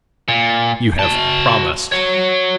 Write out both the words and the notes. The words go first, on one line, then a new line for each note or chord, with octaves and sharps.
"You have promised!"
A#2
F#4 A5
F#4 C#5